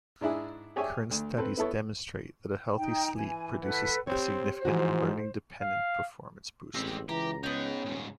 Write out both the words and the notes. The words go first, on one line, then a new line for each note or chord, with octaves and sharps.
Current studies demonstrate that a healthy sleep produces a significant learning-dependent performance boost.
G#2 D4 E4 G#4
G4 G#4 C#5 D5 E5 G#5
D2
C4 A4 B4
B3 E4 A4 C#5
D#4 G5
E3 G#5
A4 B4 F#5
C4 G4 C5 C#5
G#2 E3 F3 F#4
F5
A1 G#3 C4 G4
C#2 E3 G4 A#5
B3 C#4 D#4 G#4 G5
D#1 G#2 C#3